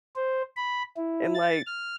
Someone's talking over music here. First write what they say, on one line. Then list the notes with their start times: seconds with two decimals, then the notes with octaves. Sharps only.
And like
0.16 C5
0.56 B5
0.96 E4
1.35 A6
1.67 F6